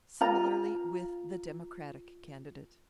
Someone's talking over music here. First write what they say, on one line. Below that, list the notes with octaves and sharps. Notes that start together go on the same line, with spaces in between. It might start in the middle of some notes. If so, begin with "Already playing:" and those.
Similarly with the Democratic candidate.
F4 A#5